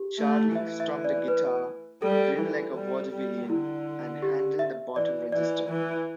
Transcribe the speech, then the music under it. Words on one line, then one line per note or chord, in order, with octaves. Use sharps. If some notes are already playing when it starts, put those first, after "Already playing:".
Charlie strummed a guitar, grinned like a vaudevillian and handled the bottom register.
Already playing: G4
A3
E3 E5
E5
D5
B4
G3 A4
E3
G3
G3
D3 E4
G4
E5
E3 D5
E3 D5
E3